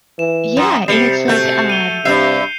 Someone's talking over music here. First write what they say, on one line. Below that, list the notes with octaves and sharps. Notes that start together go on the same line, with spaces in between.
Yeah, and it's like um,
E3 E7
F#2
C3 G3 C7 C#7
A3 F#4 G6
D#7 F7 G7
G2 C3 G#3 E5 G6 C7